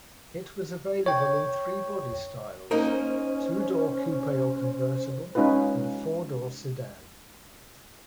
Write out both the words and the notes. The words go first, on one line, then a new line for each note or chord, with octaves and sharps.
It was available in three bodystyles: two-door coupe or convertible and a four-door sedan.
C#5 G5
A#3 C#4 D#4 A#4 C5
G#3 C#4 D#4 F4 B4